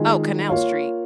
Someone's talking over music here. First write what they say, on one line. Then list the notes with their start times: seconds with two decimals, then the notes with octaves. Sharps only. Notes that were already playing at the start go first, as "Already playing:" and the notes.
Oh, Canal Street.
Already playing: D#3 G#3 F4 G#4 D#5
0.49 A#3 F4 C#5 F5